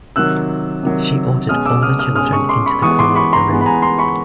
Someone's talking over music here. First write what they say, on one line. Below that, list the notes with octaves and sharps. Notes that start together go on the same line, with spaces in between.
She ordered all the children into the corner of the room.
C3 D#3 F#3 E6 F#6
C3 D#3 F#3
B2 G#3 C#4 D#6 F6
D6 E6
D#6 F6
D#6 F6
B2 G#3 C#4 D#6 F6
C#6 D#6
C6 D6
B5 C#6
E3 G#3 B3 C#6 D#6
C6 D6
B5 C#6
A#5 C6
E3 G#3 B3
B5
G#5 A#5
A#5 C6
B5 C#6